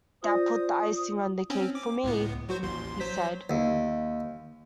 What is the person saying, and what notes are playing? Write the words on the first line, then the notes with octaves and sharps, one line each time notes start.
"That put the icing on the cake for me," he said.
F4 C5 D5 D#6 A#6
C4 C#4
D6
C#2 A2 B3
F#3 F#4 C5
A1 D#2 C6
F#3 C5 B6
D#2